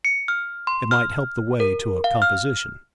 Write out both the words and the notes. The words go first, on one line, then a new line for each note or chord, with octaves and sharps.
"It might help the way to a composition."
C#7
F6
C6
F6
A#4
F5
F6